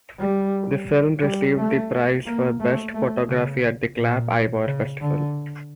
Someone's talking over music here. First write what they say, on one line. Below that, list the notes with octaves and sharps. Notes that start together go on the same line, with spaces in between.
The film received the prize for best photography at the Clap Ivoire festival.
G3
G3
A3
A#3
A3
A3
C#3
A#2
C#3
D3